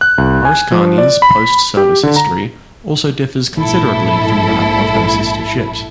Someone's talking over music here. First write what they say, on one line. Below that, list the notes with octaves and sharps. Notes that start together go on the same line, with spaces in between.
"Oriskany"s post-service history also differs considerably from that of her sister ships.
F#6
C2
G#5
F3
D5
B5
G4
D3
A#5
A#1 G#2 E4 A4